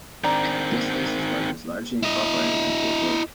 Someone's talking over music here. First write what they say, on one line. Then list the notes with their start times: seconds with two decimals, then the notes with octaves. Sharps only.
This thesis work was largely incorporated into a book.
0.24 D#3 C4 D4 D5 A#5
2.03 E4 D#5